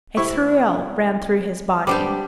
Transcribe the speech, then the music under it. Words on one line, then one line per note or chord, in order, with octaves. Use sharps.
A thrill ran through his body.
C3 E4 C#6
G3 C4 D4 G4 B4 F#5 D6